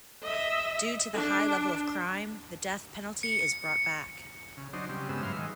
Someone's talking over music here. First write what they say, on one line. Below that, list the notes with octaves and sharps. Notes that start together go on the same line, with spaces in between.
Due to the high level of crime, the death penalty is brought back.
D#5 E5
D4
C#7
C#3
F#3 D4 D#4 C5
C#3 G3 C4
G2 C#3 G#3 B3 E6
G#2 F#3 B4 E5 F5 C6
D#3 G#3